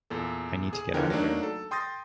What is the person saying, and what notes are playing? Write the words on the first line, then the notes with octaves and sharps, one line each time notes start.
I need to get out of here!
E2 A#2 A4
G#4
D3 E3 F3 A#4 G5
F#3 A3 A#3 D4 D#4
A4
G5 C6 D#6 G6 A6 A#6